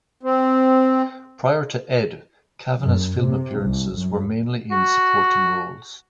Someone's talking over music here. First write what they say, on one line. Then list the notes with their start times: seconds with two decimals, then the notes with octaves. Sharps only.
Prior to "Ed", Cavanagh's film appearances were mainly in supporting roles.
0.23 C4
2.80 F#2
3.21 C3
3.61 C2
3.96 F#2
4.71 F#4